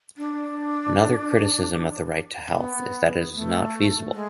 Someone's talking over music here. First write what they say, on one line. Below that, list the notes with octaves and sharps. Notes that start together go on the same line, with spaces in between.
Another criticism of the right to health is that it is not feasible.
D4
B3
A3
G#3